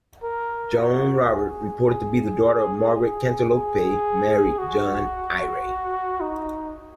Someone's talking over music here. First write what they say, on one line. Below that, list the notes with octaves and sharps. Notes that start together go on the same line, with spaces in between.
Joan Robert, reported to be the daughter of Margaret Cantilupe, married John Eyre.
A#4
F#4
G#4
G#4
G#4
G#4
F#4
D#4